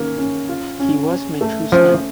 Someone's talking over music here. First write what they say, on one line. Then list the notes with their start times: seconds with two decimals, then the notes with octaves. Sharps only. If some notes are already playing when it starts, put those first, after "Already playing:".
He was my true son.
Already playing: D#3 A#3 C#4
0.18 C#4
0.49 F4
0.80 C#4
1.10 C#4
1.41 A3
1.72 F3 C#4